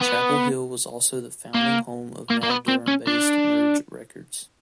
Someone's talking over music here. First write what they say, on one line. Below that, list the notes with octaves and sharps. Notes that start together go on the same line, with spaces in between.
Chapel Hill was also the founding home of now Durham-based Merge Records.
B3
A#3
A#3
A#3
B3
C4
C#4
D4